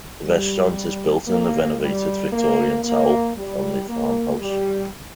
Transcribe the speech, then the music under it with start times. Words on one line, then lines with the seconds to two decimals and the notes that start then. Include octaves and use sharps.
The restaurant is built in the renovated, Victorian Towle family farmhouse.
0.25 G3
1.28 A#3
1.81 G3
2.32 A#3
2.84 A#3
3.37 G3
3.88 A#3
4.40 G3